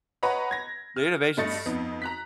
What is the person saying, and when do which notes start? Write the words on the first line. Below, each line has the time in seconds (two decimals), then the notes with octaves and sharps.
The innovation's
0.23 B4 C#5 D#5 F#5 A#5 B5
0.51 G#6 A#6
0.96 F6
1.37 G2 A3 D#5 A6 C#7
1.66 F2 B3 D#4
2.02 A#5 F#6 B6